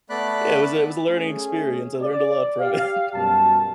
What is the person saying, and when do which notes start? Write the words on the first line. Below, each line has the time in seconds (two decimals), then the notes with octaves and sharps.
Yeah, it was a it was a learning experience. I learned a lot from it.
0.10 A3 B3 D5 B5 F#6
1.09 A3 C#4 G#4
2.02 D5
2.59 G4 F5
3.15 F#2 B2 G3 A5